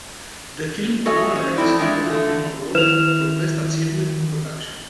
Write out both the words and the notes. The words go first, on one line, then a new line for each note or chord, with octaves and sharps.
The film won a British Independent Film Award for Best Achievement in Production.
F#4 A4 C#5 D#5 E5 G#5
C#4 C5
F3 A3 C4 E4 D5
G#3 A3 D4 F4 D#5 E5
D3 A3
D#3 E4 B4 E7 F7